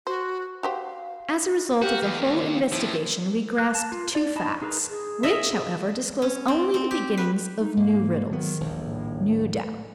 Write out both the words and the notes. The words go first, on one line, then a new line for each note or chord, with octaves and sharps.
As a result of the whole investigation we grasp two facts, which, however, disclose only the beginnings of new riddles, new doubts.
F#4 C5
F#4 G4 C5 F5
F#4 G4 F5
E2
D#2
A2 F3 E4
F#6
A5
F4
D5
D4 D#4 D#5 A5 B5
D#4 G#4 A#4 B4 A#5
G#4
D#5 E5
C#4
C4
C4
G4
B4
D#4
G#2 A#3
D#3 F#3 B3
D#1 A#1 E2
A2